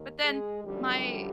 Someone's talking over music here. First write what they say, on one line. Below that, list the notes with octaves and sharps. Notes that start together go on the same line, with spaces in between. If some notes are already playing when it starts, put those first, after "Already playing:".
but then my
Already playing: D#2 D#3
G#3 G#4
F#2 D3 F3 G3 G4